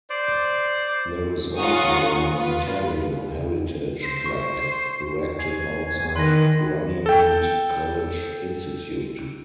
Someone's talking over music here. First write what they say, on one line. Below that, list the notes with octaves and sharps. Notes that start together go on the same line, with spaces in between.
There is also an Ontario Heritage Plaque erected outside Runnymede College Institute.
C5 D5
C#4 F4 F#5 A#5 C#6 D#6
F4 B4
C5
C#6
G#5 C7
D#3 B4 C6 A#6
A4 G5